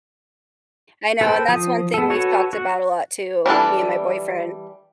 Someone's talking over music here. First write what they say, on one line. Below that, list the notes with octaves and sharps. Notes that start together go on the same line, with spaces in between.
I know, and that's one thing we've talked about a lot too- me and my boyfriend.
A4 B4 C5 G5
F3 D#6
B3 A4
F#4 A4 B4 C#5
F#4
E3 G3 D4 A4